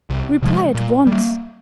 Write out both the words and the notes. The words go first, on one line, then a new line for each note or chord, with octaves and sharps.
Reply at once.
C2
C3 F3 G#3
A#2
G3
A#3